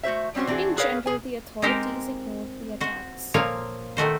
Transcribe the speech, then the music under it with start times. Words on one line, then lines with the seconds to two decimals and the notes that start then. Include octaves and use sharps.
In general the authorities ignored the attacks.
0.03 A3 F#4 C5 E5
0.35 G3 C4 C#4 F#4 C5
0.47 E3 C4 D4 D#4 F#4 G#4
0.78 G#4 A#4 B4 C#5 F5
1.06 B2 G#4 G#5
1.62 G#3 C4 D#4 G4 A#4 C5
2.80 F#4 C5
3.34 A#2 F3 A#3 C#5 F5
3.97 D#3 A3 F#4 C5